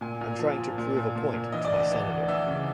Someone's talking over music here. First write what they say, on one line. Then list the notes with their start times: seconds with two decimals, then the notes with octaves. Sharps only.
I'm trying to prove a point to my senator.
0.01 A#2 G#5
0.21 A#2
0.39 F3
0.58 F3
0.78 A#2
0.97 A#2
1.16 A#2
1.33 A#2
1.52 E3 D#5
1.65 D5
1.72 D2
1.78 D#5
1.91 E3
2.10 D2
2.28 E3 E5
2.47 C#3